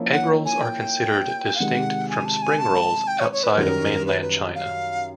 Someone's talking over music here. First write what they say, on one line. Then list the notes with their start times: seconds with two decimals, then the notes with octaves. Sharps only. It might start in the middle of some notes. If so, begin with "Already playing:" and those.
Egg rolls are considered distinct from spring rolls outside of mainland China.
Already playing: F3 A#3 C#4 E4
0.12 F#5
0.45 G#5
0.62 G5
1.55 F5
1.59 C3 D#3 G#3 F#5
2.09 G#5
2.25 A5
2.42 G#5
2.58 A5
3.07 G5
3.20 C#5
3.32 C#5
3.43 B4
3.56 F#2 D#3 G3 A#4
4.06 B4
4.22 B4
4.55 F5